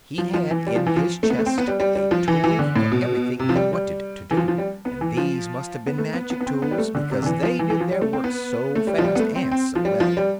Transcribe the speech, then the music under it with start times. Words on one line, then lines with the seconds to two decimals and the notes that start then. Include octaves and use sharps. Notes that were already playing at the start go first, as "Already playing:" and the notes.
He had in his chest a tool for everything he wanted to do, and these must have been magic tools because they did their work so fast and so well.
0.18 F3
0.34 F3
0.51 E3
0.67 G3
0.75 F3
0.86 E3
0.96 F3
1.23 A3
1.30 B3
1.39 A3
1.46 C4
1.58 B3
1.68 G3
1.80 G3
1.95 G3
2.11 F3
2.28 E3
2.44 E3
2.59 D3
2.76 A2
2.92 B2
3.39 C3
3.49 F3
3.56 G3
3.73 G3
4.31 E3
4.37 F3
4.48 F3
4.58 G3
4.85 B3
5.01 E3
5.17 F3
5.87 B3
5.98 A3
6.13 B3
6.30 B3
6.41 B3
6.46 C4
6.62 B3
6.71 G3
6.78 A3
6.95 D3
7.11 C3
7.22 D3
7.26 E3
7.43 F3
7.59 E3
7.70 E3
7.80 F3
7.91 G3
8.02 A3
8.13 C4
8.24 B3
8.75 A3
8.87 G3
8.98 F3
9.04 G3
9.15 B3
9.19 A3
9.35 C4
9.51 C4
9.75 F3
9.85 G3
10.00 F3
10.17 G3